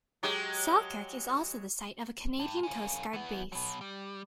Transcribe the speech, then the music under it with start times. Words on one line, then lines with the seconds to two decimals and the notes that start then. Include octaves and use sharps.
Selkirk is also the site of a Canadian Coast Guard base.
0.23 F#3 G#3 G4
2.39 G2
2.63 A#3 C#4
3.13 E3 B3
3.52 B2 F#3
3.81 G3